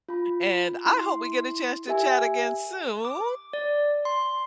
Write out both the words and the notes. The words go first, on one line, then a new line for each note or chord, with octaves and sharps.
and I hope we get a chance to chat again soon.
F4 B5
E4 C6
G4 A#4 E5 G#5
D6
D5
C6